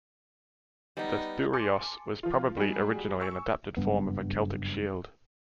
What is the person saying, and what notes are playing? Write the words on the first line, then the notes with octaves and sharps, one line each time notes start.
The "thureos" was probably originally an adapted form of a Celtic shield.
G3 B3 D#4
G#5 A5 C6 D6 A6 C#7
F3 F4
G3 G#3 F#4 G#4
G#5 C#6 E6
F#1 G2 B3